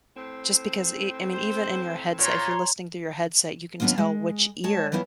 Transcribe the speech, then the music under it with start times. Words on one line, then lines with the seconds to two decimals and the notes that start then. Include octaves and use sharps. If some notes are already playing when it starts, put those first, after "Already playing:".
just because e I mean, even in your headset, if you're listening through your headset, you can tell which ear
0.16 A2 C4
1.31 C5
2.19 A#2 C#5 C6
3.80 D#2 F#3 B3 C4 D4 F4
3.98 G#3
4.64 G#3 C#5 A5
4.92 E3 F#3 B3 E4 F4